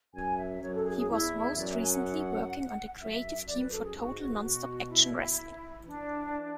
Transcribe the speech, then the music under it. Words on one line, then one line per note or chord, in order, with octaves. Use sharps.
He was most recently working on the creative team for Total Nonstop Action Wrestling.
F#2 G#5
E5
F#2 C#5
A4
G#4
G#4
E2 E4
E5
F#2 D5
E5
G#5
F#5
F#2 E5
F#2 D5
B4
A4
G#4
G#2 F#4
B2 F#4
E4
E3 D4